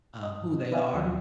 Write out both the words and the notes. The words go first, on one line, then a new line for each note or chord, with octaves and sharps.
uh, who they are,
D#5
B4 D5 E5 F5 G#5
D#2 F3 F#3